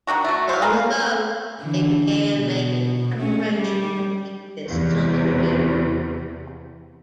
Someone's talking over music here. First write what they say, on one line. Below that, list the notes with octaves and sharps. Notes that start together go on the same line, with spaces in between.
Long ago, they began making preparations for this coming doom.
D#3 F3 D4 F#4
A3 F#4
C5 F5
G#4 A#4 B4 F5
D3 E3
B2
A3 C#4
G3
E2 C3